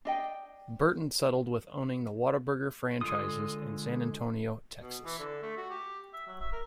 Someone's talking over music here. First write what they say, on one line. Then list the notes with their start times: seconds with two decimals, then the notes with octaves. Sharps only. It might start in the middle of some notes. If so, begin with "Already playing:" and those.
Burton settled with owning the Whataburger franchises in San Antonio, Texas.
0.05 D4 D#5 G5
3.01 D3 G#3 F4 A4 D#6
4.81 B2
5.05 E3
5.19 D3
5.43 A3
5.57 F#4
5.70 G4
6.14 E5
6.27 F#3
6.41 E5
6.52 A#4